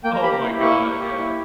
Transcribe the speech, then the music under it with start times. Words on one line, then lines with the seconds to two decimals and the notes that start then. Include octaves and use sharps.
Oh my god. Yeah.
0.04 A#3 G5
0.14 A#5
0.23 G4 B5
0.32 A#5
0.42 E4
0.61 A#3 C#6
0.81 A#3
1.00 G4
1.19 E4